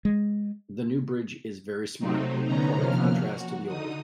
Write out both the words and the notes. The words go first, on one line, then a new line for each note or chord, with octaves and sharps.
The new bridge is very smart; quite a contrast to the old.
G#3
C3 F#3 A3 C4 D#4
D3 B3 C#4 D#4 A#5
C3 F3 A#3 C#4 F6
F#4
D3 D#4 D#6